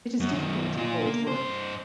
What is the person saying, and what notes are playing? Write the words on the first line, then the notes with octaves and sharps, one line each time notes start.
It is difficult to cold work.
F#2
F#2 D#3
A#2 F4
A#3
G2 C5